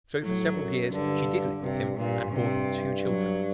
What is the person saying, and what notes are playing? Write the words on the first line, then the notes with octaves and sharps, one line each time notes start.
So for several years she did live with him and bore him two children.
A2 F#3
F#2
G2 D3
G2 C3
G2 A#2
G2 C3
F#3